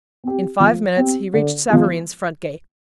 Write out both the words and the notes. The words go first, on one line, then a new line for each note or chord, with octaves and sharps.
In five minutes he reached Savareen's front gate.
C4 G4
F3
C4 G4
D3
F3 G#3